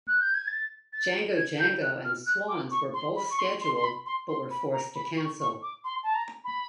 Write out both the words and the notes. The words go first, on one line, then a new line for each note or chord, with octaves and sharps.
Django Django and Swans were both scheduled but were forced to cancel.
F#6
G6
G#6
A6
A6
G#6
G6
F#6
F6
F#6
D6
C#6
C6
B5
C#6
C6
C6
C6
B5
C6
C6
B5
A#5
B5
C#6
C#6
D6
C6
A5
A#5
B5